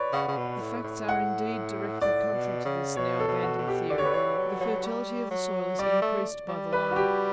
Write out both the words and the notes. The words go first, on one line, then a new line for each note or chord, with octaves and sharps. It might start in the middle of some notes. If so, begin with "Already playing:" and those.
The facts are indeed directly contrary to this now abandoned theory: the fertility of the soil is increased by the lime.
Already playing: B4 C#5 D5
C#3 F#5
C#3
B2
A2
A2
F#5
A2 D5
B2
C#3
B2 C#5
A4
B2
F#4
B2
G4
D3 D5
C#5
B4
E3 C#5
F#3
F#3
G3
F#3
G3 D5
A3
G3
B4
F#4
G4